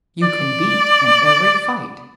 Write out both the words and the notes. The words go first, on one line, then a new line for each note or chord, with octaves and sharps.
You can beat in every fight.
D5